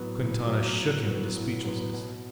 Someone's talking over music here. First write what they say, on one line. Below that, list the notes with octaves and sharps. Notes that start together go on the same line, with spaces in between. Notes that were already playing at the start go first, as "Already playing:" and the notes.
Quintana shook him into speechlessness.
Already playing: A2 F#3 B3
A2
F#3 B3
A2
F#3 B3
A2
F#3 B3
B2